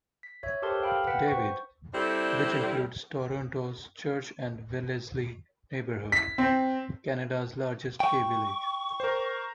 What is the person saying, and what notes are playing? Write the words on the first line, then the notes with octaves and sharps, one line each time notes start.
David, which includes Toronto's Church and Wellesley neighbourhood, Canada's largest gay village.
B6
C#5 E5
G4 A4 A#4 C5 A5 C6
F5 G5 B5 F6 D7
B4 F#5 G5 B6
C5 C#6
G3 C4 D4 E4 A4
B6
C4
G5 C#6
A#4 C5